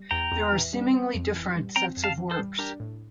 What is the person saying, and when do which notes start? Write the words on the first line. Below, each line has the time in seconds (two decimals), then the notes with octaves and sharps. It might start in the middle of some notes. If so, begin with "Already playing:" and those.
There are seemingly different sets of works.
Already playing: G3
0.11 E2 G5 A#5
0.32 E2
0.53 E3
0.73 G3
0.93 C4
1.14 F2
1.36 E3
1.56 G3
1.76 C4 G5 A#5
1.97 F2
2.04 F5 A5
2.18 E3
2.31 A4 C5
2.39 G3
2.59 D4 G4 A#4
2.80 A2